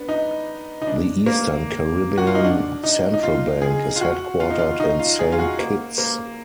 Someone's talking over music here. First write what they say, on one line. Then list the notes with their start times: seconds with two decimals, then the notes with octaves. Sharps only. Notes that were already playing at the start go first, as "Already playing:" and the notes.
The Eastern Caribbean Central Bank is headquartered in Saint Kitts.
Already playing: B3 D4
0.09 D#4
0.82 D#4
0.87 D4
1.26 A#3
2.18 F#4
2.27 F4
2.35 D#4
2.44 D4
2.84 D#4
3.14 D#4
3.23 F4
3.62 G#4
3.96 F4
4.01 F#4
4.40 F4
4.50 D#4
4.59 F4
4.80 D#4
4.99 F4
5.19 G#4
5.32 F4
5.39 F#4
5.59 A#3
5.98 A#3